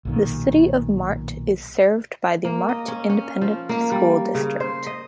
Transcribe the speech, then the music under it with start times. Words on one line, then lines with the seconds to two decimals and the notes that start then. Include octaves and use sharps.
The City of Mart is served by the Mart Independent School District.
0.05 B1 A#2 D#3
2.45 A#3
2.69 D#5
2.88 C#4
3.10 C#4
3.41 F3
3.69 A#3
3.92 G3
4.35 C#3
4.60 C5
4.87 D#5